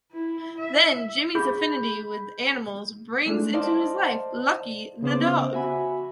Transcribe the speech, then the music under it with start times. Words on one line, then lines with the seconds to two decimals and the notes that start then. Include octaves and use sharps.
Then Jimmy's affinity with animals brings into his life 'Lucky' the dog.
0.12 E4
0.58 E5
1.35 G#4 B5 G6
3.26 G#3 A3 D4
3.54 C5 D5 D#5 F5 A5 C6
5.02 C#3 B3 C5 D6
5.53 F#4 E5 G#5 B5